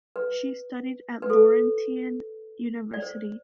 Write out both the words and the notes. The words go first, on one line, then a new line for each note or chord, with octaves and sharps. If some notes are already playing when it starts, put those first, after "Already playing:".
She studied at Laurentian University.
B4
B4
A4
D5
C5